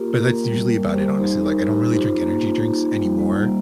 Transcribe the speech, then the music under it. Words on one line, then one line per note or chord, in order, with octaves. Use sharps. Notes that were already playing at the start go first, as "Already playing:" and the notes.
but that's usually about it, honestly. Like, I don't really drink energy drinks anymore.
Already playing: A#3 F4 G4 A#4
A#4
A#3 G4
G3 A#4
G3 A#4
G3 G4 C5
D#4 G4 C5
D#4 A#4
D#4 G4
F4 G4 C5
A#3
F4
D#4
G3
G3
A#3